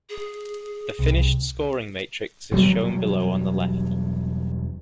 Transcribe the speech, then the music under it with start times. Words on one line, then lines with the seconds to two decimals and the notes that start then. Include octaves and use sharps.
The finished scoring matrix is shown below on the left.
0.09 G#4
0.99 C2
2.51 E1 G2 F#3 G3